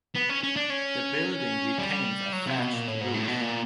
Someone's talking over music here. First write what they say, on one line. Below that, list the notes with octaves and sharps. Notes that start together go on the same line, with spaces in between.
The building retains a thatched roof.
B3
C#4
C#4
D4
C#4
G3
F#3
C3
B2
A#2
A2
G#2
A2
B2
A#2